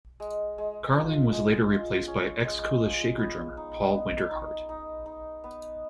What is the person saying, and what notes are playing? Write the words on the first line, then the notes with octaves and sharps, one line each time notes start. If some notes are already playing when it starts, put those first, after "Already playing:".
Carling was later replaced by ex-Kula Shaker drummer Paul Winter-Hart.
G#3
G#3
F3
G#3
F4
C#4
G#3
F3
B3
D#4
B3
D#4
D#4
D#4
B3